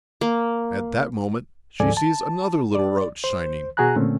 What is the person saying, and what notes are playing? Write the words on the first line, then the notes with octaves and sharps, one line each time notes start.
At that moment she sees another little roach shining.
A#3
D2 G#2 F3 A4 D5 G#5
A5
D5
C5
B2 F#4 G#4 G#5 A#5 F#6
A#2 D3 A3 C4 C#4